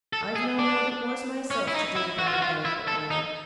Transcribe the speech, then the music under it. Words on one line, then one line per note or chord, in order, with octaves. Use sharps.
I've known what it was myself to do without a banquet lamp.
A4
G#4
D4
C#4
E4
D#4
E4
F#4
F4
F#4
F4
E4
A4
D#4